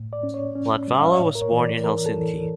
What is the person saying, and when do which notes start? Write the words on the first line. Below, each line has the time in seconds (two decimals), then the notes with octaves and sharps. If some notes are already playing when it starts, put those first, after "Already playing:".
Latvala was born in Helsinki.
Already playing: A2
0.13 D5
0.23 C#4
0.34 C#5
0.56 C#4
0.88 G3
0.98 F5
1.05 E5
1.13 D5
1.19 A2 C#5
1.35 A#4
1.42 C#5
1.52 E3
1.63 D5
1.84 E3 A#4
2.06 A4
2.17 E3